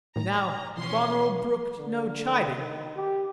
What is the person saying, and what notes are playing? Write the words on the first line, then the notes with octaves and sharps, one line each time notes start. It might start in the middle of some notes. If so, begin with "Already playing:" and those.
Now Goneril brooked no chiding.
A2 D#3 A#5
B2 E3 F3 C#4 C6
D3
D#3
G4